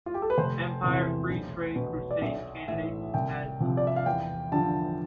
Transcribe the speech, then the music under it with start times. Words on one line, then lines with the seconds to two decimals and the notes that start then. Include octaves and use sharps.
Empire Free Trade Crusade candidates had some success.
0.06 F4
0.14 G4
0.22 A4
0.30 B4
0.38 F1 C5
0.83 E2 C3 E3
1.30 B1
1.76 B2
2.11 D5
2.22 B1 E5
2.68 A2 E3 E5
3.14 C2 G5
3.60 C3 F3
3.77 D5
3.87 E5
3.96 F5
4.06 E2 G5
4.52 D3 F3 A5